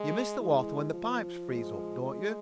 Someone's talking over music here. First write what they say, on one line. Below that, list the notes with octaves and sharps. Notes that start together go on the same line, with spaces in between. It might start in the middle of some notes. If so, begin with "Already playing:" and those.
You miss the water when the pipes freeze up, don't you?
Already playing: G#3
E3 G#3
F3
G#3
G#3